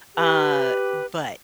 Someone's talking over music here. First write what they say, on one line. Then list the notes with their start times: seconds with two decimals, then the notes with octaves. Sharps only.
uh, but,
0.17 G4 B4